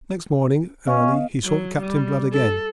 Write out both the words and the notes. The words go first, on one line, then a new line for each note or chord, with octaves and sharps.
Next morning early he sought Captain Blood again.
B3 C#4 D#5 F5
F#3
G3
A4